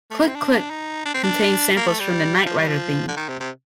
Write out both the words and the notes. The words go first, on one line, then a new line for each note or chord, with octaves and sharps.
"Click Click" contains samples from the "Knight Rider" theme.
A3
A#3
C4
D4
D#4
D4
C4
D4
A#3
A3
G3
F3
G3
F3
D3
D#3
C3
C3